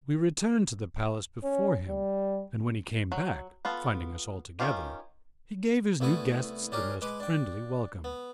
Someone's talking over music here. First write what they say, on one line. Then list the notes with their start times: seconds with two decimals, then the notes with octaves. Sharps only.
We returned to the palace before him, and when he came back, finding us all together, he gave his new guests the most friendly welcome.
1.43 C#4
1.88 G3
3.12 F#3
3.65 B3 F4 A4
4.60 D#3 C#4 F4 G4
6.01 C2 A3 B3 E4 G#5 C#6
6.72 C#4 D4 G4 G#4 A#4
7.02 G#3 B4 D6
7.20 D4 G5
8.04 B3